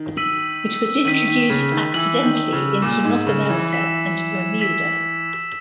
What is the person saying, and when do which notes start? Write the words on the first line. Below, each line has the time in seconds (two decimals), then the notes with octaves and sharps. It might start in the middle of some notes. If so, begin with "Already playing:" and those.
It was introduced accidentally into North America and Bermuda.
Already playing: D#3
0.17 E6 B6 D#7 F#7
1.05 D#3 E6 B6 D#7 F#7
1.27 D#3
1.50 C#3
1.72 D#3
1.94 E3 E6 B6 D#7 F#7
2.23 D#3
2.53 C#3
2.82 A#2 E6 B6 E7
3.04 G#2
3.26 C#3
3.49 E3
3.71 E6 B6 E7
4.60 E6 B6 E7